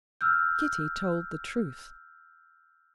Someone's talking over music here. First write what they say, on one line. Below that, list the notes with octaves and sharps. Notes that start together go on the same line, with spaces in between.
Kitty told the truth.
E6 F6 G6